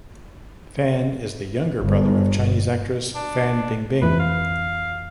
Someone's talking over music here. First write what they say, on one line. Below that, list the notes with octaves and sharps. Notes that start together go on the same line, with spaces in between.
Fan is the younger brother of Chinese actress Fan Bingbing.
G1
D4
F2 E3 B4
F5